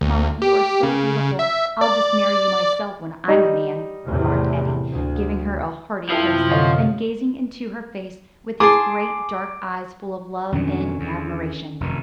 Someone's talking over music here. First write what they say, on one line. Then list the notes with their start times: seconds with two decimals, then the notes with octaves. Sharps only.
"Mamma, you are so beautiful, I'll just marry you myself, when I'm a man," remarked Eddie, giving her a hearty kiss, then gazing into her face with his great dark eyes full of love and admiration.
0.01 D2
0.42 G4
0.83 C#3
1.39 E5
1.81 D5
3.28 G3 D#4
4.05 E2 A2 C3
4.93 D2
6.10 F#2 C3 F3 E4 A4 G5
6.50 D3 C#5 D#5 F5
8.60 G#4 A5 C6 D6
10.52 F2 B2 D3 D#3 F#3 C#4
11.00 E2
11.80 F1 F#2 D#3